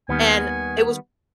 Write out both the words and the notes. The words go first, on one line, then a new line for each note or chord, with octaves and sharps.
and it was
D#2 D#3 G3 B3 G#5